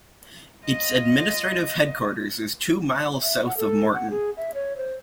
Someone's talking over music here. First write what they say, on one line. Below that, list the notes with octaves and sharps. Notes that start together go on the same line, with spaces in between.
Its administrative headquarters is two miles south of Morton.
F4 D#5
E5
F#5
A4
F#5
G#4
E5
C#5
C5